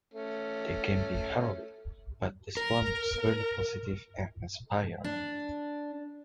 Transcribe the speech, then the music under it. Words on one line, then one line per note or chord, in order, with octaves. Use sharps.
They can be harrowing, but this one was really positive and inspiring.
A3 C#4
A#4
D4